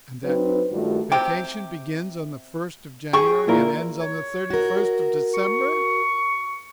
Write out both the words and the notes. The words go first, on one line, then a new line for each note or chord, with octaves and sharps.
"And that vacation begins on the first of January and ends on the thirty-first of December?"
F#3 C4 D4 D#4 B4
G2 D#3 G3 A3 F4 F#4
C3 G4 G5
G#4 G5 C#6
A#2 E4 A#4
C#5
F#4 A#4
C#6